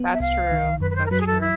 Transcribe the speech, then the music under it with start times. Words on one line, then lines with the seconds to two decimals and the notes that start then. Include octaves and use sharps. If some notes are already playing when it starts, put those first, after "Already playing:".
That's true, that's true.
Already playing: B3
0.13 E5
0.20 C2 F5
0.52 D#3
0.80 F#2 B4
0.91 B4
0.95 C5
1.06 A#4
1.11 F#3 B4
1.20 G#4
1.27 A4
1.41 E4